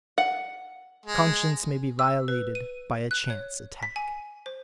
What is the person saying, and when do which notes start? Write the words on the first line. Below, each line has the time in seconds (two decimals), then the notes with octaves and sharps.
Conscience may be violated by a chance attack.
0.18 F#5
1.06 G#3
1.99 E6
2.28 B4
2.55 D#7
3.11 F#6
3.30 C#5
3.83 B6
3.96 G#5
4.46 C5